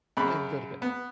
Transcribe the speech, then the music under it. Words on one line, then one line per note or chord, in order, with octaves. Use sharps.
and go to bed.
F#2 C#3 B5
B3